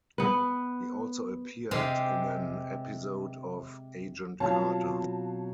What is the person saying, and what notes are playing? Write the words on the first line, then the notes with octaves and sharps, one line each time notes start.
He also appeared in an episode of "Agent Carter".
B3 B4
C3 G#3 G4 F5
B2 F#3 C4 F4 F5 A5